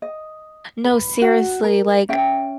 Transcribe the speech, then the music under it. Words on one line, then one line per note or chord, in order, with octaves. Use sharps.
No, seriously, like
D#5
B4
F#4
A#4
C#4 E5 G5